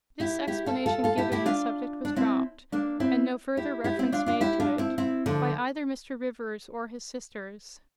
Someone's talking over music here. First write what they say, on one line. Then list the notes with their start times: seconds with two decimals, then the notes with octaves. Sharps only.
This explanation given, the subject was dropped, and no further reference made to it by either Mr. Rivers or his sisters.
0.20 E4 G4
0.47 E4 G4
0.66 F4 A4
0.86 F4 A4
1.04 F4 A4
1.18 E4 G4
1.32 E4 G4
1.46 D4 F4
2.05 D4
2.16 C4 E4
2.72 A#3 D4
3.00 C4 E4
3.57 E4 G4
3.84 E4 G4
3.99 C4 E4
4.12 D4 F4
4.26 D4 F4
4.41 E4 G4
4.60 D4 F4
4.78 C4 E4
4.98 C4 E4
5.26 D3 F3